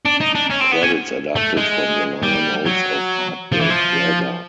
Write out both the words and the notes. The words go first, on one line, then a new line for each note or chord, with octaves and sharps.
Credits adapted from the liner notes of "Heartbreak Weather".
D4
D#4
D4
C#4
C4
B3
C#4
A3
G#3
G3
F#3
F3
E3
F3